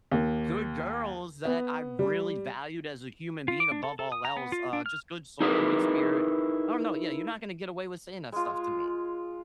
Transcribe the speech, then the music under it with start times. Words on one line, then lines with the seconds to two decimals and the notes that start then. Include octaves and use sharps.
good girls that I really valued as a human being above all else. Uh, just good soul, a good spirit. I don't know. Yeah, you're not gonna get away with saying that stuff to me.
0.12 D#2
1.45 B3
1.99 G3
3.48 F4
3.60 D6
3.72 D4
3.83 A4
3.99 A4
4.12 D#6
4.25 A#5
4.37 B3
4.52 F4
4.73 D4
4.86 F6
5.40 D#4 E4 G#4 A#4 B4
8.32 G#3 F4